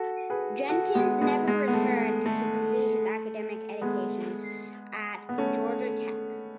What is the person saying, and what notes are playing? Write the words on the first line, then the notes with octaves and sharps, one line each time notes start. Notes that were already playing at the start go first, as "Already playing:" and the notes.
Jenkins never returned to complete his academic education at Georgia Tech.
Already playing: F#4 A4
G#4 B4
F#4 A4
G#3 B3
G#3 B3
G#3
B3
A3
A3
G#3 B3
B3
A3 C#4